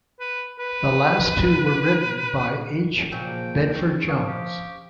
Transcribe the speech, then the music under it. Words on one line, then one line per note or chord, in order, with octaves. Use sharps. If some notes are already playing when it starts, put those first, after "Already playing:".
The last two were written by H. Bedford-Jones.
B4
B4
A#2 C#3 F3 F#3 G5
C#4
F3 F5 C#6 D#6
G4